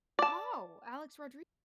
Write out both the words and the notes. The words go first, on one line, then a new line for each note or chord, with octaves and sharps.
Oh, Alex Rodri
D5 A5